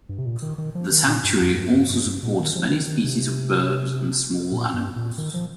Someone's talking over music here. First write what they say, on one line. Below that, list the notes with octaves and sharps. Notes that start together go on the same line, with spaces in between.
The sanctuary also supports many species of birds and small animals.
G2
C3
A#2
D#3
D#3
F3
D#3
A#2
G2
F2
G2
G2
G2
G2
A#2
D#3
F3
D#3
D#3
C3
A#2
G2
A#2
D#3
F3